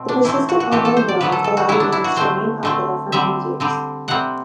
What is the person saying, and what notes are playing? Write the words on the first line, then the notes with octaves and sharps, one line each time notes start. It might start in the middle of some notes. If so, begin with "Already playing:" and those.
The persistent online worlds allow the games to remain popular for many years.
Already playing: B2 A3 C4
D4
E3 A3 C4 E4
F#4
F#4
E3 A3 C4 G4
A4
C5
D5
D3 F#3 B3 B4
A4
A4
F#4
D3 F#3 B3 E4
D4
E4
F#4
D3 A3 C4 C5
D3 A3 C4
D3 G3 C4 E5
D3 G3 C4
C3 G3 C4 F#5